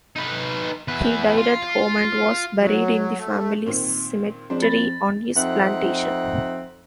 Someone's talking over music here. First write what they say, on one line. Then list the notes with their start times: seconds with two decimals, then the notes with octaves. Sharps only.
He died at home and was buried in the family cemetery on his plantation.
0.16 D#4 B4
0.88 E2 B4
1.38 F4
2.60 F#3
3.18 A3
3.66 A#2 D#3 C4
4.50 F2 G#3 D4 C5
4.62 B5 A6 A#6
5.36 F2 C4 D#4 E5 F#5